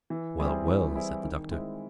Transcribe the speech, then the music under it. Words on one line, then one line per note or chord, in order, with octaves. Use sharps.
"Well, well!" said the Doctor.
E3
G3 C4 E4 G#4
E3
G3 C4 E4 G#4
D#3
G#3 C4 E4